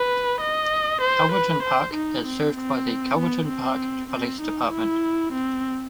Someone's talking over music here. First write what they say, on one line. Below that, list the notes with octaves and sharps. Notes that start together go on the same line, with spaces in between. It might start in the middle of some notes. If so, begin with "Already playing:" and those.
Calverton Park is served by the Calverton Park Police Department.
Already playing: B4
D#5
C5
B4
C5
D#4
C4
C4
B3
C4
C4
D#4
E4
C4